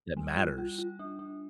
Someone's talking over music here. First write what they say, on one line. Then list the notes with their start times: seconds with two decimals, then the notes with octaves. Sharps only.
that matters.
0.17 G3
0.37 F4
0.58 F4
0.79 F4
0.99 D4
1.19 D4